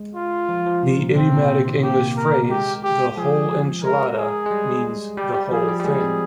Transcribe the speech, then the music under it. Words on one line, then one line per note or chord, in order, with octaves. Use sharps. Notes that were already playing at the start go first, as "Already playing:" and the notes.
The idiomatic English phrase "the whole enchilada" means "the whole thing".
Already playing: G#3
F4
F3
F3
C3
A#2
C3 C4
A#2
C3
D#3
A#3 G4
A#4
G#3 G4
G4
F3 G#4
G#3 A#4
G#4
G#3
G3
G3 G4
G3
F3 G#4
G3
G3
G#3 G#4
C4